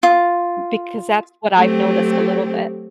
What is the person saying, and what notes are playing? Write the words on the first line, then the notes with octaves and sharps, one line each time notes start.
Because that's what I've noticed a little bit.
F4
F#3 A3 C4 G4